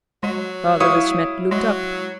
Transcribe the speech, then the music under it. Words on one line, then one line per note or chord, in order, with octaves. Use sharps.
Father De Smet looked up.
F#3 G#3
E4 C#5 F5 D#6
F#3 G#3